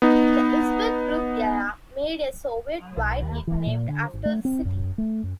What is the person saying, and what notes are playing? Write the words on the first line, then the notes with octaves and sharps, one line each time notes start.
The Uzbek group Yalla made a Soviet-wide hit named after the city.
B3 D#4
B1
D#2
E3
A#2
D3
G#1
A3
C4
F#2
A3
F#2